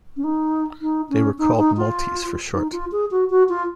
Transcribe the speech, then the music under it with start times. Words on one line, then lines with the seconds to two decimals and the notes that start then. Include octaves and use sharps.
They were called "Multis" for short.
0.17 C#4
0.24 D#4
0.82 D#4
1.10 C#4
1.39 D#4
1.58 D#4
1.77 F4
2.54 D#4
2.72 F4
2.92 G#4
3.11 F#4
3.30 F#4
3.49 F4